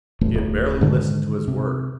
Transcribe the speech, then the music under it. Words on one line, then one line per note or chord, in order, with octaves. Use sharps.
She had barely listened to his words.
E1 A1 A3
D1 A2
G#2 D3 D#3
C3